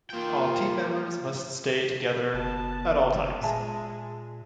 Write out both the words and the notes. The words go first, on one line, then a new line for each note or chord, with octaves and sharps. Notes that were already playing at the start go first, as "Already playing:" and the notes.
All team members must stay together at all times.
A#3 F4 G5
F#1 B3 A5
A#2 G#3 E5 G#5 A5